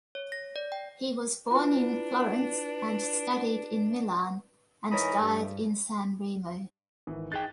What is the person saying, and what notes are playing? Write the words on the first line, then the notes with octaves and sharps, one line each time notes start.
He was born in Florence and studied in Milan and died in Sanremo.
C#5
A#6
D5
G5
D4 E4 F4 B4
G#2 E3 A#4 C#5 D#5 B5
G2
G#1 D#3 E3
D#4 G#4 D#5 G5 F#6 A6